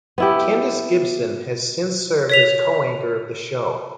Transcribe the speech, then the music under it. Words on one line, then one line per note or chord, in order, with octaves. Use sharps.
Kendis Gibson has since served as co-anchor of the show.
B3 E4 G4
C#5 B6 F7